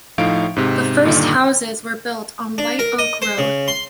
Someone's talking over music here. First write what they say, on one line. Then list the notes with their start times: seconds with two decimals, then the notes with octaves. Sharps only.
The first houses were built on White Oak Road.
0.18 A2 F3 D#4 F5 D7
0.56 G#2 C3
1.04 G2 A#2 D3 D#3
2.58 D4
2.79 A#4
2.99 D#5
3.22 C5
3.38 C#3
3.68 C6